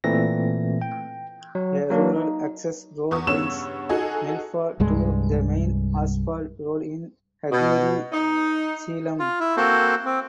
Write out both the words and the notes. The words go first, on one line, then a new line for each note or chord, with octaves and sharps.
A rural access road links Melfa to the main asphalt road in Hagere Selam.
A#2 E3 A3 C4 A#6
G5
F#3
F#3 A#3 D4
D#4
E2 C#6 D#6
G2 C#3 B3 C#5 E6 E7
D#4 F#4 G#4 A4 D#5 G#5
C2 G2 G#3
B2
D#4
F4
E4
A#3 C4 F#4 A4 C5
C4